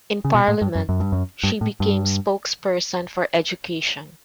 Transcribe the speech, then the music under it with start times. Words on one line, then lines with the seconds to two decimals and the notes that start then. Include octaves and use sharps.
In parliament, she became spokesperson for education.
0.25 C#3
0.34 B2
0.48 A2
0.61 G2
0.75 F#2
0.89 F#2
1.00 G2
1.12 F#2
1.43 G2
1.61 A2
1.80 G2